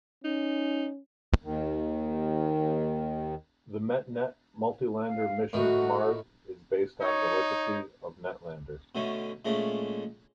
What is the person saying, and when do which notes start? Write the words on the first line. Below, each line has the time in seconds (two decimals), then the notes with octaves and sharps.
The MetNet multi-lander mission to Mars is based on the legacy of NetLander.
0.24 C#4 D#4
1.44 D#2 D#3
5.08 F5
5.53 A2 D#3 F#4
7.01 D#4 C#5
8.95 B2 D3 A3 C#4
9.45 A#2 G#3 A3 C#4 A5